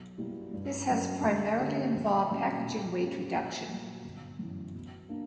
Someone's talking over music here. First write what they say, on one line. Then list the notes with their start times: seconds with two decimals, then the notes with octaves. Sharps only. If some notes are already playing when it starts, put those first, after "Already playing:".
This has primarily involved packaging weight reduction.
Already playing: B1
0.18 B2 G3 A#3 E4
0.53 G2
0.88 F#3 C#4 F#4 A#4
1.23 D2
1.58 D3 A#3 C#4 G4
1.93 A#1
2.29 A#2 F#3 C#4
2.64 B2
2.99 A#3 C#4 G4
3.34 A#1
3.69 A#2 F#3
4.04 G1
4.39 F#2 E3
4.74 B2
5.09 A#3 D4